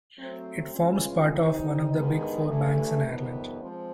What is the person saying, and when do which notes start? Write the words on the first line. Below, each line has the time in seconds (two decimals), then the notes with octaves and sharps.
It forms part of one of the Big Four banks in Ireland.
0.17 F#3 A3 C4
0.74 E3 G#3 C#4 F4 G#4
1.32 E3 G3 C4 D#4
1.89 G2 D#3 G#3 B3 D#4
2.46 G2 E3 A3
3.04 F2 C3 D#3 G3 B3
3.61 F3 G#3 C4